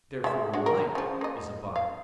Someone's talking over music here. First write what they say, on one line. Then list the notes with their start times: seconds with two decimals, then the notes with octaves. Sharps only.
Therefore light is a body.
0.24 G#3 E5
0.54 G#3 D4 F#4
0.66 A#4
0.95 C#3 F3
1.21 A#3 D#5
1.76 F5